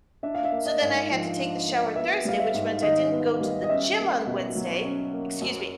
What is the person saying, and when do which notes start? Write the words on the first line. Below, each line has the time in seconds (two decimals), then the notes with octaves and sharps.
So then, I had to take the shower Thursday, which meant I didn't go to the gym on Wednesday excuse me.
0.23 D4 E5
0.35 F5
0.44 E5
0.52 A#3
0.66 D#5
0.81 G#2
1.10 F3
1.39 D4
1.68 A#3
1.96 B3 E5
2.25 G3 F5
2.40 E5
2.54 G#2
2.82 D#3 D#5
3.12 B3
3.41 G3
3.64 D#5
3.69 C#4 E5
3.98 A#3
4.27 B2
4.56 F#3
4.84 C#4
5.13 A#3
5.42 F#2